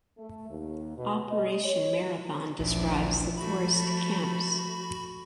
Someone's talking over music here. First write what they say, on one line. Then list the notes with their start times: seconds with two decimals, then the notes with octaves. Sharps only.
Operation Marathon describes the forest camps.
0.18 A3
0.48 D#2
0.97 B2
1.31 D#5
1.63 C#5
2.59 A1 D2 A#2 F3 D4 E4
3.37 F3 A3 F#4 B5